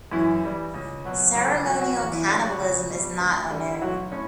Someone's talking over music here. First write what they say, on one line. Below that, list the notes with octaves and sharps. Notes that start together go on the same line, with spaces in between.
Ceremonial cannibalism is not unknown.
F#2 E3 E4
E3 G3
C#2
B2 F#3
C#2 F#3 F#4
A4
G3 G4
B2 F#3 F#4
F#3 F#4
E2 F#3 F#4
E3 E4
D3 F#3 G3 G4
F#3 F#4
C#2
B2 G3
D2
D3 G3
E4
B1 F#3 F#4
A2 C#4